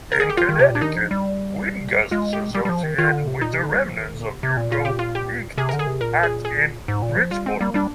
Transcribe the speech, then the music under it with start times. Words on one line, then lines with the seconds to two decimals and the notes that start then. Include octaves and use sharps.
In Connecticut, wind gusts associated with the remnants of Hugo peaked at in Bridgeport.
0.12 A#4
0.20 G#4
0.30 G4
0.37 F4
0.49 D#3
0.59 C3 G4
0.70 A#2
0.75 D4
0.81 D#3 D#4
0.96 F3
1.11 G3
2.11 G#3 F4
2.33 G4
2.55 G3 G4
2.65 G3
2.69 F3
2.83 D#3
2.98 D#3 F4
3.12 D3
3.27 C3
3.41 A#2 D#4
3.53 C3
3.63 D3
3.74 G3
3.85 F3
3.99 D#3
4.14 D3
4.27 C3
4.43 C3
4.57 A#2
4.72 F4
4.85 G4
4.99 F4
5.15 G4
5.57 C3 G#4
5.69 D3 A#4
5.79 G#4
5.87 C3
6.01 A#2 A#4
6.23 G#4
6.45 G#4
6.88 G#2
7.02 A#2
7.17 F3
7.31 G3 F4
7.45 G#3 C4
7.60 G3 A#3
7.74 G3 D4